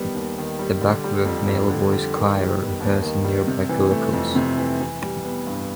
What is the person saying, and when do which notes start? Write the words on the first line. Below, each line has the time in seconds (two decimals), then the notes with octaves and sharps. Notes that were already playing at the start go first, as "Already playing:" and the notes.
The Backworth Male Voice Choir rehearse in nearby Cullercoats.
Already playing: D#3 G3 B3
0.15 D#2
0.38 D#3
0.59 G3
0.82 D3
1.04 G3
1.26 F2
1.48 F2
1.70 D3
1.92 G3
2.15 D#3
2.37 G3
2.58 B3
2.80 D#2
3.02 D#3
3.24 G3
3.47 C3
3.69 E3
3.91 A3
4.13 F2
4.35 C3
4.58 E3
4.80 E3
5.02 G3
5.24 B3
5.47 G2